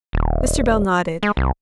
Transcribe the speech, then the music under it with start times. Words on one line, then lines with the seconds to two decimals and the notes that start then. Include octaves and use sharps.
Mr. Bell nodded.
0.13 D#1
1.23 G#3
1.37 C2